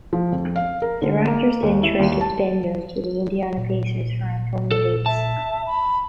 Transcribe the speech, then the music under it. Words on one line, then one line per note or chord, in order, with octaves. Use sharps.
The Raptors then traded Bender to the Indiana Pacers for Antonio Davis.
F3
F2
F5
A#4
D3
A#3
D#2
E4
D#2
A5
A#2
A4
E5 A5
B5